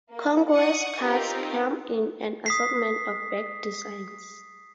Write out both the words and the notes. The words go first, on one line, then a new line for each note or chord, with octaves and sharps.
Congress cards come in an assortment of back designs.
A#3
F#5 C#6 D#6
C4 D#4 F4 G4 A#4
D#6 B6 C7